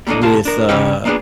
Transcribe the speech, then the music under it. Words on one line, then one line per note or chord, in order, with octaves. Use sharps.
with, uh,
G3 A3 A#3 D4 A4 D#5
D#2 C3 F5 A5
D4 A#4
C#3 C#4 G4 F5 G5
A#3 B3 D4 F#4 G#4